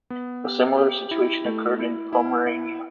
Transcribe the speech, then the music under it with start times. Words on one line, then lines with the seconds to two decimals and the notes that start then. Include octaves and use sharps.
A similar situation occurred in Pomerania.
0.10 B3
0.44 G4
0.77 G4
1.11 E4
1.45 A3
1.79 E4
2.13 E4
2.46 E4